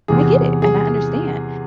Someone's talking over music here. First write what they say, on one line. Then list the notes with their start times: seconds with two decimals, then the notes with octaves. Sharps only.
I get it, and I understand.
0.08 E2 C3 E3 G#4
0.62 G#4